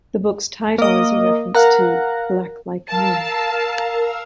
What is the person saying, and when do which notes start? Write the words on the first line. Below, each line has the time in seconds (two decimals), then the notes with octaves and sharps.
The book's title is a reference to "Black Like Me".
0.78 A#3 D#5
1.55 A#4 F5 F#5 A#5
2.89 A#4 F5 A5 E6